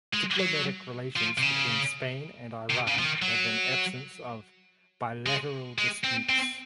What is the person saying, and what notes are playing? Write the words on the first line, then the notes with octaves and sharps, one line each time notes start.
Diplomatic relations between Spain and Iran have an absence of bilateral disputes.
G#3
F#3
F3
C3
C#3
C3
C#3
F3
D#3
F#3
G#3
G#3
C4
C4